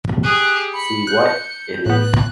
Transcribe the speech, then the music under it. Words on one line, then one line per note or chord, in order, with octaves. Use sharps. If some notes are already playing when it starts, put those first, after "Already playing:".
See what it is.
G4 G#4 F#6
B5 C#7
F#6 G6
A2 B3 F#6